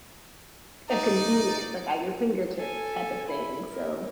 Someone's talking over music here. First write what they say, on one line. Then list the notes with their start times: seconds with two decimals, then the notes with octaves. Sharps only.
a convenience, like, at your fingertips type of thing, so
0.90 D#4 D5
2.57 A4 G#5
3.27 E4 B5
3.70 A#4